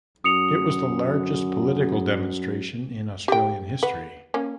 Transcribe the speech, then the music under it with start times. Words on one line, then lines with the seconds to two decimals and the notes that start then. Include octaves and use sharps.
It was the largest political demonstration in Australian history.
0.24 F#2 D#6 C#7 F7
3.28 G4 G5
3.83 B4 F#5
4.34 A#3 C#4